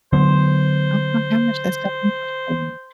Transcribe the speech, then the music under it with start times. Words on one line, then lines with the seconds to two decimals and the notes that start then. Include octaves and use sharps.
Oh my gosh, that's so interesting.
0.13 D3 F#3 B3 C5